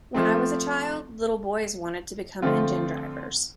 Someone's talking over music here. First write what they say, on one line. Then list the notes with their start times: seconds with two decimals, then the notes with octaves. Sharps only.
When I was a child, little boys wanted to become engine drivers.
0.14 F3 A3 C4
2.42 D3 F3 A3 C4 F4